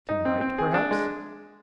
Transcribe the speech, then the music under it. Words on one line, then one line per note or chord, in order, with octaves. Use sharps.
Tonight perhaps.
D#4
C4
C4
G#4
D4
G#3